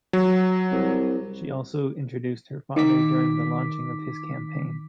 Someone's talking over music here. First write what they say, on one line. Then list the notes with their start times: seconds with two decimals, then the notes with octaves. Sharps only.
She also introduced her father during the launching of his campaign.
0.13 F#3
0.72 C2
2.76 D#3 D6 B6